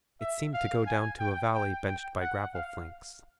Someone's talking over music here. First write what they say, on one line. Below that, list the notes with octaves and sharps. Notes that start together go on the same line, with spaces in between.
It seemed to go down to a valley benched by gravel flanks.
E5
F5
G#5
G5
G5
G5
F#5
F5